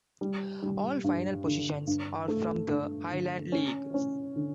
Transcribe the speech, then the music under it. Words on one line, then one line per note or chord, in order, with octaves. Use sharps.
All final positions are from the Highland League.
G3
G3
G2
D3
G2
A3
G2
D3
C#4
C#4
D3